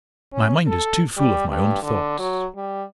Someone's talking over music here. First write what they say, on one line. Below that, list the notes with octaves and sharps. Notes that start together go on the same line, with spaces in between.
"My mind is too full of my own thoughts."
C#4
A4
G3
G2
D3
F#3
G3